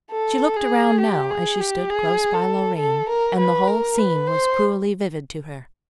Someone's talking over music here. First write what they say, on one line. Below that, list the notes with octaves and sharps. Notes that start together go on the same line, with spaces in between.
She looked around now as she stood close by Loreen, and the whole scene was cruelly vivid to her.
A4
G#4
G4
G#4
G4
G#4
A4
A4
A#4
B4
A#4
B4
C5